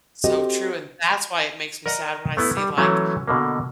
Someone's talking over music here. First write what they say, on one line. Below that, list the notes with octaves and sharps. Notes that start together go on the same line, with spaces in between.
So true and that's why it makes me sad when I see, like,
C4 F#4 G4 A4 D#5
A#4 D5 D#5 F#5 A#5
A3 B3 E4
G3
E3 F#3 A3 C#4
B2 D3 A#3